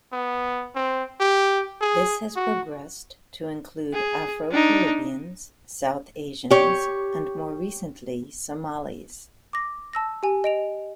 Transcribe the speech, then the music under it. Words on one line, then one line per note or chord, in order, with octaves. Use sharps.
This has progressed to include Afro-Caribbeans, South Asians, and more recently Somalis.
B3
C4
G4
G#4
F#4
G#4
D4 D#4
G4 C#5
D6 A#6
A5 E6 A#6
G4 G#5
D#5 D7 F7